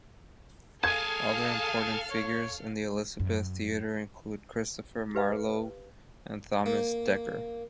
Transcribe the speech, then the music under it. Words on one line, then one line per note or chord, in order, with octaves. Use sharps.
Other important figures in the Elizabethan theatre include Christopher Marlowe, and Thomas Dekker.
G#4 A4 F5 G#5 A5 F6 G#6
C#5
F#2
G4 B4 F5
A#3